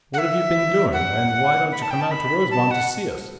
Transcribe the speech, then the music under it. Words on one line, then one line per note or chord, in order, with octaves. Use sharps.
What have you been doing, and why don't you come out to Rosemont to see us?
F#5
E5
F#5
B5
A5
G5
A5
B5
A5
F#5